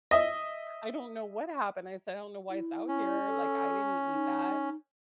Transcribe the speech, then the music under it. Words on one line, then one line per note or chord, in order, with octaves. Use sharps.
I don't know what happened." I said, "I don't know why it's out here, like, I didn't eat that."
D#5 E5
E4
C#4
A4
D#4